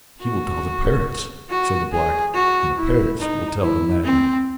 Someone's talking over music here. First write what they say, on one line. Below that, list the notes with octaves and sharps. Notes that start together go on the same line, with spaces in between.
"He will tell the parrots," said the black, "and the parrots will tell the madmen."
F#4
F#4
G#4
F#4
E4
D#4
E4
C4